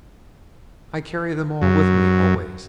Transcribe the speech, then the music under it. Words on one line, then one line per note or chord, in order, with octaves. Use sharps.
I carry them all with me always.
F#2